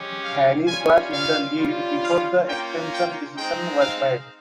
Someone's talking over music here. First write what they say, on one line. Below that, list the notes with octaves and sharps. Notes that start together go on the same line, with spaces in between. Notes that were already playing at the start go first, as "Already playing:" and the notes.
Harris was in the lead before the extension decision was made.
Already playing: G#3 C#4 G4
F5
G3 C#4 F4 G#5
F5
G3 C#4 F4
F5
A#3 C#4 F4 G5
G5
G#3 C4 D#4 G5
F5